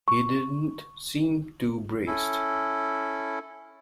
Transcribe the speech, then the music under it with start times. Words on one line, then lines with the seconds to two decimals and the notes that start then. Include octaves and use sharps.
He didn't seem too braced.
0.08 C#6
2.07 C#4 E4 A4